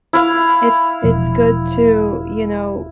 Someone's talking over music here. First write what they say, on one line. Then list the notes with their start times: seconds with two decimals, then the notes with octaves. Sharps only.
it's it's good to, you know,
0.13 E4 F5
1.04 E1 B2 F3